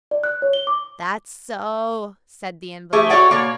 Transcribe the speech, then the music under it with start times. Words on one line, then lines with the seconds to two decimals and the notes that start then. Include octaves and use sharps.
"That's so," said the invalid.
0.11 D5
0.24 F#6
0.42 C#5
0.53 G7
0.67 D6
2.93 A3 G4 G#4 E5
3.09 F#4 A4 C#5 D5 F#5 G5
3.30 B2 A#3 C#5 D5